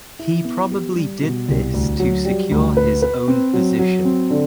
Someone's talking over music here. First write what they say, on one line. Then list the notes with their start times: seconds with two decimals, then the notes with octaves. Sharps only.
He probably did this to secure his own position.
0.19 E4
0.44 B3
0.71 G4
0.96 G3
1.22 B2
1.48 C2
1.73 D2
2.00 F#3
2.25 G3
2.51 D2
2.77 B4
3.02 B4
3.28 C4
3.54 F#3
3.79 F#3
4.05 C4
4.30 D3